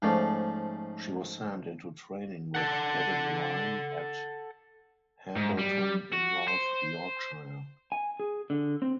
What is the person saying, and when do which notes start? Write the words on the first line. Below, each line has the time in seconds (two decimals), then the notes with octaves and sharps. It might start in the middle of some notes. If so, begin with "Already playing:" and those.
She was sent into training with Kevin Ryan at Hambleton in North Yorkshire.
0.02 G#2 F3 A3 C#4 D5
2.55 A4 F#5
5.37 G#2
5.59 G3
6.13 F#4
6.48 C5
7.92 G#5
8.20 G#4
8.50 D3
8.82 C4